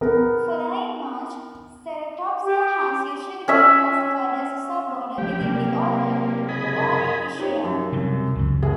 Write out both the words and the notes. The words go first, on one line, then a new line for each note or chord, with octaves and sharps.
Following Marsh, Ceratopsia has usually been classified as a suborder within the order Ornithischia.
B3 A#4
G4
C#4 E5
F3 A3 G4
C3 F#3 A#3 G4
F#2 C#3 D#5 G#5 B5
D#4 G4 C#5
F#2
C3 F#3 G3
C#2 F#2
F#1 C2 G#4